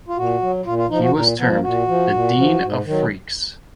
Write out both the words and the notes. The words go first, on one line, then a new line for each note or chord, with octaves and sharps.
He was termed "The Dean of Freaks".
F4
A#2 F#4
F#3
A#2 F4
F4
F3 D#4
F#4
A#2 A#4
F3 B3
A#3
A#2 F#4
F3
A#2
F3
G#2
D#3 F#3